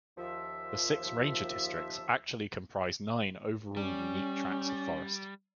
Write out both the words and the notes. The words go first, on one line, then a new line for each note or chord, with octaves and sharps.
The six ranger districts actually comprise nine overall unique tracts of forests.
D#2 F3 E5
G3 C#4